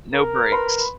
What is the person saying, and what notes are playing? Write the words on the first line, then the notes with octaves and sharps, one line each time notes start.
No breaks.
A#4
B4 B5 C6